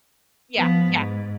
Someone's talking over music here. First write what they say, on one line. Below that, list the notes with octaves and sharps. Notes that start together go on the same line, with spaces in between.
Yeah, yeah.
F3 B3
G#2